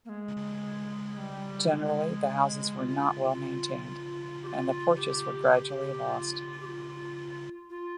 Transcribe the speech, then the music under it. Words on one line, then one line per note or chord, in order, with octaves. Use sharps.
Generally, the houses were not well maintained, and the porches were gradually lost.
A#3
G#3
G#3
G3
G#3
F4
F4
G4
F4
G4
G4
F4
G4
F4
F4